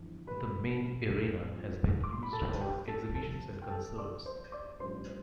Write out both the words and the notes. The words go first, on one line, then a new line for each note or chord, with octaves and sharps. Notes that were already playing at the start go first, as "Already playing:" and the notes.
The main arena has been used for exhibitions and concerts.
Already playing: G1 F2 E3
B4 B5
G2 F3 C4
D6
C6
B5
A4 A5
G4 G5
A4 A5
F2 C3 G3 C4 A4 A5
G5
A4 A5
D5 D6
C5 C6
D5 D6
A1 G2 F3 C5 C6
C5